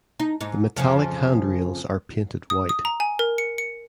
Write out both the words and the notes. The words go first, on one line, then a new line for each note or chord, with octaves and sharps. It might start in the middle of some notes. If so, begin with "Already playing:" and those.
The metallic handrails are painted white.
D#4
G#2 D#4
F2 C#3 F3
D#6
D#6
A#5
G#5
A#4
C#7
C#7